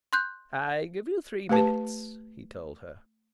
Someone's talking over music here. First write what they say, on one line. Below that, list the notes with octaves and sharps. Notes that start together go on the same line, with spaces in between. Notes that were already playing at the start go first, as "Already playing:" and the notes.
"I give you three minutes," he told her.
C6 F#6 G6
A3 G4 B4 A5